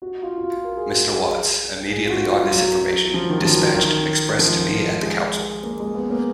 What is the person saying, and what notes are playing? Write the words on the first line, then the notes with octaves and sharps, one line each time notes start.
Mr. Watts, immediately on this information, dispatched an express to me at the council.
F#4
F4
F4
F#4
A#4
G#4
F#4
G#4
G#4
F4
F#4
F4
F#3
F3
D#3
F#3
F3
F#3
D#3
F3
G#3
A#3
G#3
B3
A#3